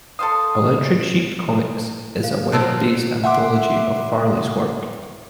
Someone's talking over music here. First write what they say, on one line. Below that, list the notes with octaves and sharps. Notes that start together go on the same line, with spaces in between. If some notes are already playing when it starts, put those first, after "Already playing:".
Electric Sheep Comix is a Web-based anthology of Farley's work.
A4 C5 F5 D#6
F5
F3 F#3 C4 C5 A5 E6
E5 F#5 C6 D6